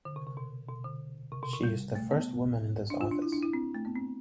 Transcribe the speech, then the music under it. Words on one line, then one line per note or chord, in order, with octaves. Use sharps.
She is the first woman in this office.
D3
C3
C3
B2
B2
D3
C3
B2
C3
G3
A3
B3
D4
F4
D4
E4
D4
E4
C4
A3
B3
C4